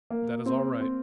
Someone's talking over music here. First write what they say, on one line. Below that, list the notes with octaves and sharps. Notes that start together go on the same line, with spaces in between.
"That is all right."
A#3
C4
C4